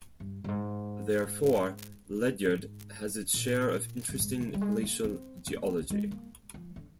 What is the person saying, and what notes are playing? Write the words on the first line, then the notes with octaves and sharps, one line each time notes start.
Therefore, Ledyard has its share of interesting glacial geology.
G2
G2
G#2
G#2
A#2
G2
G#2
C3
G3
G#3
A#3
C4
A#3
G#3
A#3
F3
D3